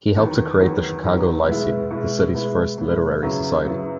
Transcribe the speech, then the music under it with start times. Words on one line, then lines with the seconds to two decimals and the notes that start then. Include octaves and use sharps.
He helped to create the Chicago Lyceum, the city's first literary society.
0.16 E2 D#3 F#3 B3
0.60 E2 D#3 F#3 B3
1.04 E2 D#3 F#3 B3
1.47 B2 G#3 B3 E4
1.90 B2 G#3 B3 E4
2.34 B2 G#3 B3 E4
2.78 B2 G#3 B3 E4
3.22 F#2 C#3 F#3 B3 E4
3.65 F#2 C#3 F#3 B3 E4